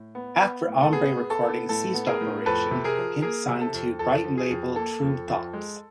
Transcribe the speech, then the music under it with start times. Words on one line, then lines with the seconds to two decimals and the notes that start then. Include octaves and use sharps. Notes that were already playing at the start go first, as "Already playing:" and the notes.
After Hombre Recordings ceased operation, Hint signed to Brighton label Tru Thoughts.
Already playing: A2
0.15 B3
0.42 B3
0.67 A2
0.83 A4
0.92 B3 G#4
1.18 B3
1.30 A4
1.43 B3
1.69 A2 A4
1.94 B3
2.07 G#4 A#4
2.21 A2
2.46 F2 A4 B4
2.71 C3
2.84 G#4 A#4
2.98 F3
3.22 A#3 G#4 A#4
3.48 C3
3.61 A4
3.73 F2
3.99 F2 A4
4.25 F3
4.38 G#4
4.50 F2
4.76 A#3 A4
5.02 F2
5.28 F2
5.53 G#3